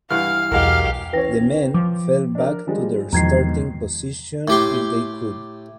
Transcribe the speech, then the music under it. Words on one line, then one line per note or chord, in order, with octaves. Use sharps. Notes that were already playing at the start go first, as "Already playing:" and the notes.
The men fell back to their starting position if they could.
G2 E3 F5 F#5 F6
B1 E2 F#3 G#3 G4 A#4 F5
E3 C#4 B4 C#5 G5 A#6
F3 D6
D4 A#4
F3 G3 G#3
E2 G#2 B2 D#3 F3 A#5 G#6 C7
A2 G4 C6